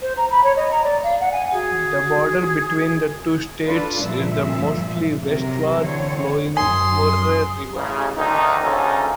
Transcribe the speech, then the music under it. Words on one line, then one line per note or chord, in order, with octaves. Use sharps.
The border between the two states is the mostly westward-flowing Murray River.
C5
A#5
B5
C#5
D#5
A#5
D5
F5
F#5
G#5
F#4 G#4
D4 F4 A4 B4
G2 A#2 F3 E5
C3 F#3 A#4
D3 E3 C4 C#5
F#2 G#5 C6 D#6
A1 C#3
D2 D#3 D#4
D2 C#3 C#4 D#4 F4 A4